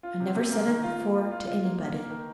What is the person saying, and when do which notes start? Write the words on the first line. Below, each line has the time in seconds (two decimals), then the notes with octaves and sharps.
I never said it before--to anybody.
0.03 F4
0.20 C3
0.35 C3
0.51 A#3
0.67 D#3
0.83 F4
1.00 A#3
1.15 F4
1.32 F4
1.47 F4
1.63 A#3
1.78 A#3
1.95 A#3
2.10 D#3